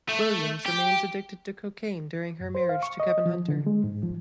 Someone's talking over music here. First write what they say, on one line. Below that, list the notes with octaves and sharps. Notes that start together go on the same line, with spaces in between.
Williams remains addicted to cocaine during her marriage to Kevin Hunter.
A3
G4
F#2
C5
F5
C#6
D#5
F3
D3
G#3
G#2
F3